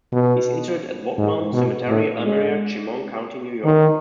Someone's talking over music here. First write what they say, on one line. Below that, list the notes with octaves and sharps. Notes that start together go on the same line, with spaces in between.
He is interred at Woodlawn Cemetery, Elmira, Chemung County, New York.
B2
G#2
B2
A2
G#3
D#3